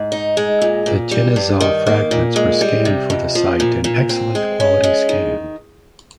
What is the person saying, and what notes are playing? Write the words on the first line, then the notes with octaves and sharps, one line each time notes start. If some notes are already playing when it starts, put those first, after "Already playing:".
The genizah fragments were scanned for the site in excellent quality scan.
Already playing: G#2
D#4
G#3
A#2
A#2
G3
G2
D#3
A#3
A#2
G#3
G3
C3
F2
F3
A#2
A#2
C4
G#3
C#4
G#3
D#3